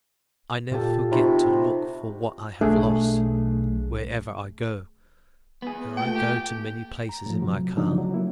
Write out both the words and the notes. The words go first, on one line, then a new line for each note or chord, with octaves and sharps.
I never forget to look for what I have lost, wherever I go, and I go to many places in my car.
A#2 F4 G4 A4
C3 D#4 F4 F#4 B5
B1 A3 D4 G#4
B3 G#4
A#2 A3 G5
G4
A#5
A2 F3
C3 F#3
C#3 F3 F#3 D4 D#4
F#3
A#3 E4